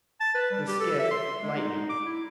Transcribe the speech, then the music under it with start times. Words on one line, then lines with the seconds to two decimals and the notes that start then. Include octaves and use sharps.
The Skiff "Lightning."
0.20 A5
0.34 B4
0.51 G3
0.68 G4
0.80 A4
0.99 E5
1.11 C6
1.42 G#3
1.58 D#4
1.90 D6
2.05 E4